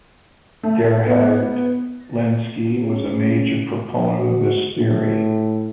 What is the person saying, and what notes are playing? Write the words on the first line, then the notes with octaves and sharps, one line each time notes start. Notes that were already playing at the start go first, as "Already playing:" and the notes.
Gerhard Lenski was a major proponent of this theory.
A3
B3
C#3
F#4
A2